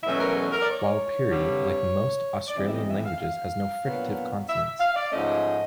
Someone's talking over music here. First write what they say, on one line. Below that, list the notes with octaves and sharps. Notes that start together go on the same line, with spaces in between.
Warlpiri, like most Australian languages, has no fricative consonants.
E2 B2 F#3 A3 C#4 E5
B4
A#4
A4
A#4
D5
C#5
G2 D3 G3 C4
D5
F2 C3 E3 G3 B3 D#5
E5
D#5
E5
F5
F5
A#2 F#3 B3 D4
E5
F5
D5
G#2 F3 A3 C#4 D#5